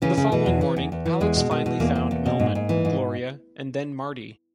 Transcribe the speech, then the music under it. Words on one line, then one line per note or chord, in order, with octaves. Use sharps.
The following morning, Alex finally found Melman, Gloria, and then Marty.
C#3 E3 C#4
C#3
B2 E3 B3
E2
E3
E2
E2
E3
E2 G#3
B2
B2
B2
E2 A#3
E2
E2
B2
G#2
G#2
E3
G#2